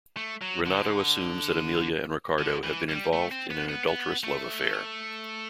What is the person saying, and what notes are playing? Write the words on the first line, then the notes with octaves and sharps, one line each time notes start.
Renato assumes that Amelia and Riccardo have been involved in an adulterous love affair.
A3
F#3
D3
D3
E3
G3
A3
C4
B3
B3
B3
A3